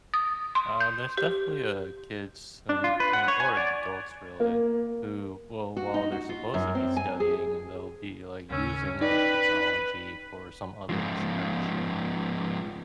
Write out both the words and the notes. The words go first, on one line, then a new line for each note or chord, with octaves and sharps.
Uh, there's definitely, uh, kids and, uh, or adults, really, who will, while they're supposed to be studying and they'll be, like, using their technology for some other distraction.
D#6
C6
G6
G4
D4
F4
B4
F#5
C#5
G#5
D5
A#3
F#4
D#4
F#4
F4
F#2
C4
G#5
G#4
D#2 C#3 C#4 E6
D#4 B4 D5 G5
G#2 F3